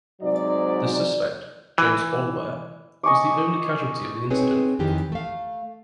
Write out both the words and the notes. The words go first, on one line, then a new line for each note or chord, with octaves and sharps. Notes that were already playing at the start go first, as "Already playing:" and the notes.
The suspect, James Boulware, was the only casualty of the incident.
G#2 C3 F#3 D5
E3
D#5 G#5 C#6 D6
C4 D#4 G#4 B4 C#5
F2 D#3 E3 G4
A3 F5